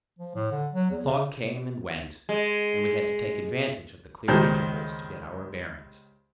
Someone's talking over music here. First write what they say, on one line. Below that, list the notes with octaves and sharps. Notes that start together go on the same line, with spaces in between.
The fog came and went, and we had to take advantage of the clear intervals to get our bearings.
F3
A2
D3
F#3
E2
C#3
G#3
C#2 D#3 G3 C5